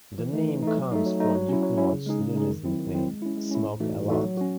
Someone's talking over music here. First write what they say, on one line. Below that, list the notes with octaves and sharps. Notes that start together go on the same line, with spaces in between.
The name comes from Yukmouth's Luniz nickname, "Smoke-a-Lot".
E3
A3 D#4
E3
A3 D#4
F#3
A3 D#4
F#3
A3 D#4
F#3
C#4 E4
F#3
C#4 E4
C#3
G#3 D#4 G#4
C#3
G#3 D#4 G#4
D#3
F#3 C4 E4
D#3
F#3 C4 E4
G#3
C#4 E4
G#3
C#4 E4
A2
E3 A3 D#4 F#4
A2
E3 A3 D#4 F#4
F#3
C#4 F#4